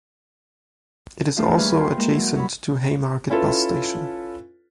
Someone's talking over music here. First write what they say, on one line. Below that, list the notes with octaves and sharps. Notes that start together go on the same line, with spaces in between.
It is also adjacent to Haymarket bus station.
F3 A3 D4 E4 F4
D#2 E3 G3 G#4 B4 F6
E4 F4 G5 C6
G#3 A#3 A#4
F#3 E4
F#3 G3 B5
C#4 E4 F4 A4 B4